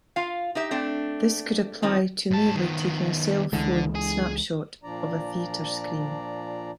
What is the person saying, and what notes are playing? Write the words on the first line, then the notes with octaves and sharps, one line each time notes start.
This could apply to merely taking a cell phone snapshot of a theatre screen.
F4 F5
D#4 G4 E5
A3 C4 D4
D#3 F3 C4 D#4
G#2 A5
D#3 B3
C#2 D3 E3 G#3
G#4 G#5
A#2 F3 D4 D5 A#5